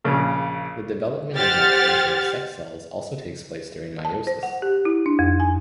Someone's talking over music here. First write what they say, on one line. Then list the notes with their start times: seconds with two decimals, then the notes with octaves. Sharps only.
The development and maturation of sex cells also takes place during meiosis.
0.04 A#1 C#3 A#4
1.34 G4 C5 F#5 F6 A6
4.05 A5
4.27 C5
4.43 F#5
4.62 G4
4.85 E4
5.06 D4
5.19 F2
5.40 G#5